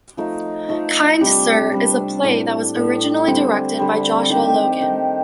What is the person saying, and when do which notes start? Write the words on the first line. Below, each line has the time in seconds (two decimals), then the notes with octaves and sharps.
Kind Sir is a play that was originally directed by Joshua Logan.
0.17 F3 A3 D#4
0.68 F3 A3 D#4
1.20 C3 G3 D4 A4
1.72 C3 G3 D4 A4
2.23 A2 A3 D4
2.75 A2 A3 D4
3.27 D3 G3 C4
3.78 D3 G3 C4
4.29 D#3 A3 D4 G4
4.81 D#3 A3 D4 G4